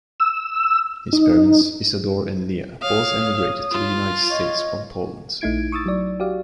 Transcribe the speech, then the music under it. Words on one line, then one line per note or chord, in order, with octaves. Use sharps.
His parents, Isidor and Leah, both emigrated to the United States from Poland.
E6
D#4
C#5 F5 D#6
F4
C#5 D#5
A#1 A3 D#4 E4 G#6 D7
C#6 D#6 E6 A6
F#3 D5
F#4 G4 D5 F5